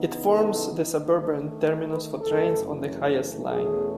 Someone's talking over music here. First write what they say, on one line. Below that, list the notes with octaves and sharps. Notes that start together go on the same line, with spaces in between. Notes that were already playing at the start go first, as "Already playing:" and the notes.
It forms the suburban terminus for trains on the Hayes line.
Already playing: C#3 E3 B3 D#4
A4
D#3 A3 D#4
B4
F#2 C#3 E3 A3 A4
E2 B2 A3 C#4 G#4